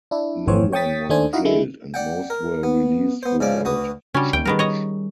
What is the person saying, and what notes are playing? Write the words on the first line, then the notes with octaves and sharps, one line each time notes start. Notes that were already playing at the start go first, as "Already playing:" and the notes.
No one was jailed and most were released without charge.
D4 E4
G#1 F2 E3 C5 C#5
C#5 G5 C#6 D#6 A6 B6
D#2 A3 D4 C5 G#5
D#4 E4 F#4 D#5 F5
D3 G#3 E4
D5 F#5 G5
A#4
B3
B3 C5
G#2 C#3 F3 D5 D6
D2 F#4 B4 D#6
C#3 G3 C#4 D4 F#4
D2 G5
D#3 G3 B3 G#4 A#4
C#5 D#5 A#5